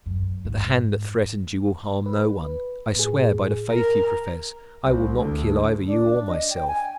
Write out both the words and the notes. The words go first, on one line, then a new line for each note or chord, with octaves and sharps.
But the hand that threatened you will harm no one; I swear by the faith you profess, I will not kill either you or myself!
F#2
G#2
B4
A2 G#4
A#4 A#6
C2
D2
D4
D#5
G5
G#5